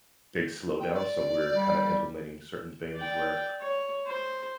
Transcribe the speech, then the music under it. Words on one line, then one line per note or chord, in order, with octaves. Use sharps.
big slowdown. So, we're kinda implementing certain things where,
G5
D5
G3
D5 G5
C#5
C5